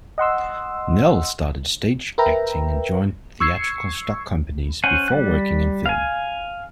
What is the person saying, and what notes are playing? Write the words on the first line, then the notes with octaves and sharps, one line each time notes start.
Nell started stage acting and joined theatrical stock companies before working in film.
D#5 F#5 C6 E6
A#4 B4 E5 G5 A#5
C#6 E6 G#6 C7 C#7
C#4 C5 F#5 G#5
G3 F#6
F5 G#5